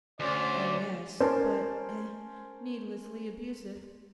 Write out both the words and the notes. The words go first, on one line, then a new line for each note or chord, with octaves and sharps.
'Oh yes. But--eh?--needlessly abusive?
D2 C#4 C5 D5
C#4 A#4 C5 G#5 A5